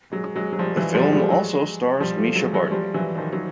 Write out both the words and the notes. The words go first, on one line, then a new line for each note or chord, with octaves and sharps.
The film also stars Mischa Barton.
F#3 G#3
F#3 G#3
F#3
F3 G3
E3 F#3
F3 G3
G#3
G3 A3
F#3 G#3
F3 G3
G3 A3
F#3 G#3
E3 F#3
F3 G3
E3 F#3
D#3 F3
F#3